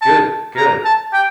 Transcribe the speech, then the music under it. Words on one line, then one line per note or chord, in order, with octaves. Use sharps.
Good, good.
A5
A#5
A5
G5